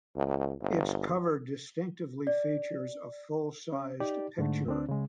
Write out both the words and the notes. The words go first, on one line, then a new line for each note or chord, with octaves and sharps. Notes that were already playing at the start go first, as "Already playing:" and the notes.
Its cover distinctively features a full-size picture.
C#2
G1
D5
C#4
D#4 G4 D5
G#2 D3 A3
D2 C4 D4
C#3 G#3